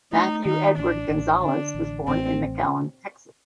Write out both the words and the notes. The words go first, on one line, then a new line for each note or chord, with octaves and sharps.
Matthew Edward Gonzalez was born in McAllen, Texas.
A3 D#4
D#3 D#4
A1 D4
A1
D3 D4
A1
A1 C4